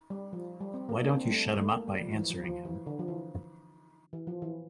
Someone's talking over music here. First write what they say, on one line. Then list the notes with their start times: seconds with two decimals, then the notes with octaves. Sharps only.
Why don't you shut him up by answering him?
0.10 G3
0.33 F3
0.60 G3
0.74 C4
0.89 A#3
1.03 A#3 D4
1.17 C4
1.27 G3
1.31 A3
1.45 G3
1.60 A3
1.73 A#3
1.88 G3
2.01 F3
2.15 E3
2.30 F3
2.44 F3
2.65 E3
2.87 D3
2.99 F3
3.08 E3
4.13 E3
4.27 F3
4.42 E3